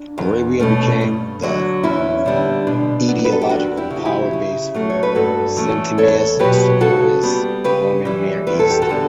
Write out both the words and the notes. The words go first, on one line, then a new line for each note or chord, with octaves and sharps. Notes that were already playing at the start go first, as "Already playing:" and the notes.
Arabia became the ideological power base for Septemius Severus in the Roman Near East.
Already playing: D4
E2
B2 A3 C#4
G2
D3 F#3
E2 C#4 E4
D3 G3 B3
B2 D4
F#3 B3
B4
A4
G4
E2 D4 F#4
E4 G4
C#3
F#3
E4 G4
C#3
F#3 A3 C#4
C#5
B4
G2 F#4 A4
E3 A3 C#4
E2 A4 C#5
B2 F#3 G4 B4
C#3 F#4 A4
G3 B3
C#3 G4 B4
E3 G3
E2 B4
A4
G4
F#4 A4
D3 G3 B3